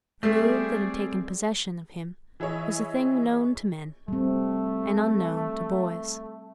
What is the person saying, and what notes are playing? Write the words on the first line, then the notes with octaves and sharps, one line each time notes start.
The mood that had taken possession of him was a thing known to men and unknown to boys.
G3 A3 C4 G#4 D5
E3 E4 G#4 C#5 D#5
G3 A3 C4